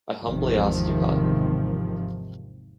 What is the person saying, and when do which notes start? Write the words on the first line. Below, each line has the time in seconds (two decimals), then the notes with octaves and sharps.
I humbly ask your pardon.
0.22 G#1 E2 C3 D#3 F3